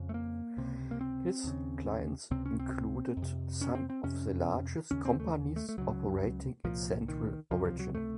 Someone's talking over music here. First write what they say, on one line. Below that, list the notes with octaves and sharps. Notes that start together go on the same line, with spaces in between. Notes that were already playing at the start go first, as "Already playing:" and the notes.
His clients included some of the largest companies operating in central Oregon.
Already playing: F2 C#3
A3
A#3
C#2 C3
A#3
C4
D#2 C#3
C#2 C3 C4
C#4
C4
F2
C3
C#4
C4
C4
F2 C3 C#4
D#2 C#3 C#4
C4
A3
A3
A3
C#2 C#3 F#3
C2 A#2 F3
D#3
C#2 C3 F3
F3
F#3
A3